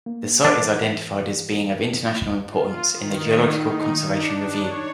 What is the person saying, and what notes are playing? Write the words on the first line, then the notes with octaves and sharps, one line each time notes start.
The site is identified as being of international importance in the Geological Conservation Review.
A#3
E3 D4
F4
D#3
D#4
D4
C#5